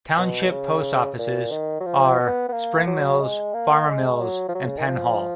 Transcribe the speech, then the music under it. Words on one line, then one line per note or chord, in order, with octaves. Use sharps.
Township post-offices are Spring Mills, Farmers Mills, and Penn Hall.
B2
C#3
A#2
D#3
F#3
F3
B3
B3
A#3
F#3
G#3
A#3
G#3
F#3
F3
F#3
C#3
D#3
F3